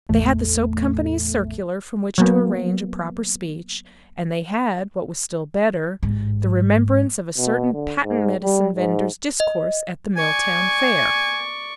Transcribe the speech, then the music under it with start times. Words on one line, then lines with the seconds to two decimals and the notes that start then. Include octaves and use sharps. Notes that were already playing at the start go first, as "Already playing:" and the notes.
They had the soap company's circular from which to arrange a proper speech, and they had, what was still better, the remembrance of a certain patent-medicine vender's discourse at the Milltown Fair.
0.09 A1 E2 A3
2.18 F#3 A#3 B3
6.03 A1 G#2
7.37 B2
7.74 D3
8.03 G#2
8.43 G3
8.74 G#2
9.40 D#5
10.17 D5 G#5 C#6